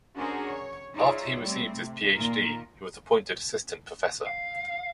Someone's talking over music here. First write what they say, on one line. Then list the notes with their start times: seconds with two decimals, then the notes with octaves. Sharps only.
After he received his PhD, he was appointed assistant professor.
0.16 C#4 D4 F#4 G#4 A#4 C5
0.46 C#5
0.94 D#4 F4 G#4 C#5 D5 E5
1.41 G3 A3 C4
1.77 C3
2.15 A#2 D#3 A#3 F4 A#4
4.27 F5